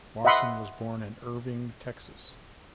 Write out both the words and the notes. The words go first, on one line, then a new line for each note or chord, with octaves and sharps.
Wasson was born in Irving, Texas.
D#5 E5 F#5 B5 C6 D#6